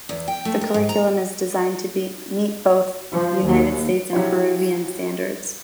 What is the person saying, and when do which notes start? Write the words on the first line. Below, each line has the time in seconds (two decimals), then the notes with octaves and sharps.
The curriculum is designed to meet both United States and Peruvian standards.
0.09 E2
0.28 G5
0.45 A3
0.61 A#4
0.74 G#2
0.89 A#5
3.13 F3
3.46 D#2
4.13 F3 F#3 E4 G4 C#5